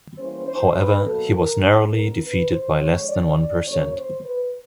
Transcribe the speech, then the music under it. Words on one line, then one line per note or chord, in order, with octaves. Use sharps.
However, he was narrowly defeated by less than one percent.
E3 G3 A#3 C#4 C5
C5
B4
B2 F#3 A#3 A4
A#4
D3 G3 C4 A#4
B4
C5
D3 F3 G#3 C#5
D5
D5
C#3 F#3 A#3 C#5
C5
B4